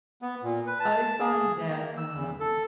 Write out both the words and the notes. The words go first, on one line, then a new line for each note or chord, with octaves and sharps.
I find that, um,
B3
A#2
B4
A5
G#4
A#3
E6
E2
A4